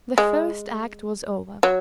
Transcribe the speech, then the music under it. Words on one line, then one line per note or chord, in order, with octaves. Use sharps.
The first act was over.
G#3
F#3